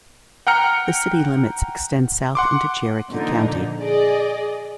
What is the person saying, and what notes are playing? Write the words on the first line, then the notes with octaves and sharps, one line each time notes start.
The city limits extend south into Cherokee County.
F#5 G5 A#5 F6 C#7
F#5 C6 D6
A#2 D3 F3 D#4
G#4 D5 D#5